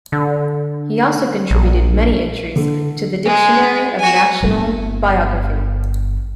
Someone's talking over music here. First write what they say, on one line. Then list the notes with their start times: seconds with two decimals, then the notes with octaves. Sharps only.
He also contributed many entries to the "Dictionary of National Biography".
0.12 D3
1.50 A#1
2.56 D3
3.25 G#3
3.99 F#4 G#5
4.43 G1 E4